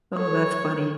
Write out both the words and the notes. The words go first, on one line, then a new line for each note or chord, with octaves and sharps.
Oh, that's funny.
F#3 A4 C#5